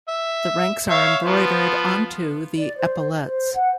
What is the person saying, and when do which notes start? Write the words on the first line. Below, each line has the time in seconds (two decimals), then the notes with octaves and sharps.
The ranks are embroidered onto the epaulettes.
0.08 E5
0.89 C#5 E5 F5
1.25 F3 B3
2.58 D5
2.77 C5
3.25 C5
3.54 F#5